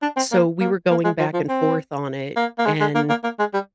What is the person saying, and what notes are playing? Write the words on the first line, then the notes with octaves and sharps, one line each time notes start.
so we were going back and forth on it, and
D4
C4
A#3
A#3
A#3
G#3
F3
F3
C4
A#3
A#3
G#3
G#3
A#3
A#3
A#3
G#3
G3